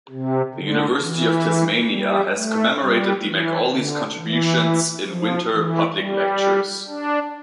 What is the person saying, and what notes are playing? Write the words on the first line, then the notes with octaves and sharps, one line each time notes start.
The University of Tasmania has commemorated the McAulays' contributions in "Winter Public Lectures".
C3
D3
E3
G3
A3
G3
E3
D3
E3
F3
E3
G3
D4